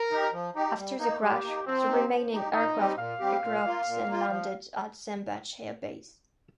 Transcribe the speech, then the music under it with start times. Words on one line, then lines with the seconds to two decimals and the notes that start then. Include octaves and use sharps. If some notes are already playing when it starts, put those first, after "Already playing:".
After the crash, the remaining aircraft regrouped and landed at Sembach Air Base.
Already playing: A#4
0.11 D#4 G4
0.33 F3
0.55 D#4 G4
0.77 G3
0.99 A#3 D#4
1.21 G3 G4
1.43 A#3 D#4
1.65 F3 C4
1.87 D#4 G4
2.09 F3
2.32 D#4 G4
2.53 A#2 D#4
2.76 G3 C4 G4
2.97 A#2 F5
3.20 G3 C4 G4
3.42 A#2
3.64 A#3 F4
3.86 A#2
4.07 A#3 F4
4.29 F3